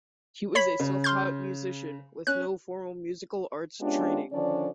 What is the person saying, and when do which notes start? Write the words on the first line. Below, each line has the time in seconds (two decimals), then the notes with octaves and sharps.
He was a self-taught musician, with no formal musical arts training.
0.55 C#5 B5 B6
0.80 C#3
1.04 C6 F6 G6
2.27 C#4 F#6
3.81 G#3 B3 C#4 D4 F4 G4
4.32 D3 D#3 F3 C#4 D4 D5